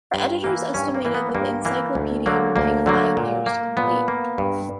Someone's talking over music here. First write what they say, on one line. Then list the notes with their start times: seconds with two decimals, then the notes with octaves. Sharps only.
The editors estimated that the encyclopaedia would take five years to complete.
0.14 G2
0.44 E3 A#3
0.74 G2 C#4
0.95 A#3
1.05 E3 A#3
1.14 B3
1.35 G2 A#3
1.65 E3 A#3
1.95 D2
2.26 D3 F#3 A#3
2.56 D2 A#3
2.86 D3 F#3 A#3
3.17 A#2
3.46 A#3
3.77 A#2 B3
4.08 A#3
4.38 G2